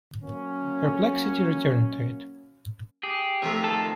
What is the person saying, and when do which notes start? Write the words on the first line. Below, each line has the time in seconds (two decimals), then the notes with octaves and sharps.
Perplexity returned to it.
0.22 F#3 A#3 C#4
3.03 G4 G#4
3.42 C3 D#3 F3 A3 F4
3.64 A4